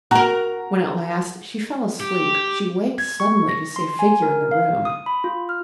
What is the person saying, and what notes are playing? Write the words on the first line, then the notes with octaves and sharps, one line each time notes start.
When at last she fell asleep she waked suddenly to see a figure in the room.
F#4 A#4 A#5
G4
G#6
C#6
A#6
C6
G#5
A#4
F5
D#6
B5
F4
F6